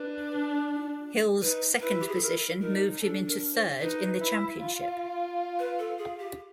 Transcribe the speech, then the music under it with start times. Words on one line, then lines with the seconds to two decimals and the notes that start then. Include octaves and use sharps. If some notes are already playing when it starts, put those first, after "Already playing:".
Hill's second position moved him into third in the championship.
Already playing: D4 B4
1.42 D#4 B4
1.82 E4 B4
2.00 G4
2.08 G#4
2.15 A4
2.22 E4 A#4
2.61 D#4 A#4
3.01 D4 A4
3.28 A#4
3.54 C5
3.80 D#4 B4
4.20 E4
4.60 F4
5.59 B4
5.79 A4
5.99 G#4
6.19 G4